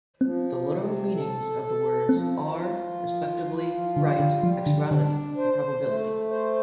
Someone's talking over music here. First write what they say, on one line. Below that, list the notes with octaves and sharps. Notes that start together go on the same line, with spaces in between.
The literal meanings of the words, are, respectively, "Right", "actuality" and "probability".
F3 C4
C3
A4
A4
F3 C4
F4
F3
F4
D3 G3
D3
F3 G3
D3
D3 D4
C5
A3
C5